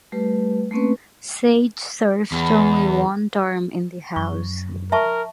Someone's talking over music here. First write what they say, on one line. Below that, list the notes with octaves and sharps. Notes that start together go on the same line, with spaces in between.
Sage served only one term in the House.
G3 A3 G4 B4
A3 A#3 C4 C#4 B4
E2
F#2 C#6
A#4 E5 A5 C#6